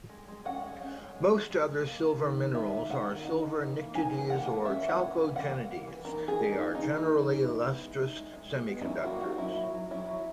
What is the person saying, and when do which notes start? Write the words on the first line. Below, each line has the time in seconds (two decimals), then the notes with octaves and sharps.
Most other silver minerals are silver pnictides or chalcogenides; they are generally lustrous semiconductors.
0.09 G#3
0.28 G#3
0.45 C#4 F#5
0.63 G#3
0.80 C#4
0.97 G#3
1.15 G#3
1.33 G#3
1.50 G#3
1.68 G#3
1.86 A#3
2.02 D#3
2.20 D#3
2.37 D#4
2.55 D#3 E5
2.72 A#3
2.90 D#3 F#5
3.08 D#3
3.25 D#4
3.43 D#4
3.60 E3
3.78 A#3
3.95 D#4 G#5
4.12 E3
4.30 A#3 F#5
4.47 A#3
4.65 C#4 E5
4.82 E3
4.88 F#5
5.01 E3
5.18 E3
5.36 A#3 F#5
5.52 E3
5.71 A#3
5.87 E3
6.05 D#4 A#4
6.22 E3
6.28 G#4
6.41 D#4
6.52 D#4
6.58 A#3
6.75 E3 D#4
6.93 E3
7.10 E3
7.28 D#4
7.45 G#3 E4
7.62 B3
7.81 G#3
7.98 D#4
8.16 G#3
8.33 G#3
8.51 G#3
8.68 B3
8.81 D#4
8.85 F#3 E4
9.03 A#3 F#4
9.20 D#4 F#4
9.38 F#3 E4
9.56 F#3
9.73 F#3
9.91 F#3 E4
10.08 F#3